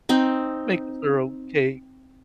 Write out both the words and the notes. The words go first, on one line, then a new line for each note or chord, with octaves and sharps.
make us our own cake
C4 D#4